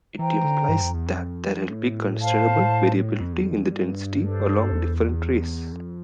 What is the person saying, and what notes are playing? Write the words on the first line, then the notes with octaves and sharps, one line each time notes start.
It implies that there will be considerable variability in the density along different rays.
E3 C5 G5 A#5
D3
G2
F2
E2
F2
A2
C5 F5 A5
F2
E2
F2
E2
G2
D4 A4 C5
E2
F2